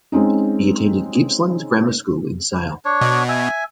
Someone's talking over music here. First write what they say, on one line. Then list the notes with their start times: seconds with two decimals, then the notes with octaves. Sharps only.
He attended Gippsland Grammar School in Sale.
0.12 G#3 C4 C#4 D#4
2.85 D4 C#5
3.01 B2
3.29 E5 G#5